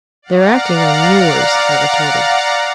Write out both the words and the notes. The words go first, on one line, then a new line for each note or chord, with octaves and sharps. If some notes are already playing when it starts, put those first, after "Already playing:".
"They're acting on yours," I retorted.
D5 F5 F#5 A#5